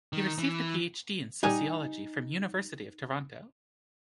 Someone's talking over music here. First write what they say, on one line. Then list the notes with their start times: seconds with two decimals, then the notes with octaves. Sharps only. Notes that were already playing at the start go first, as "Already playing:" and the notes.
He received a Ph.D in sociology from University of Toronto.
0.13 D#3
0.38 E3
1.43 A#2 G3 D#4 G4 G#5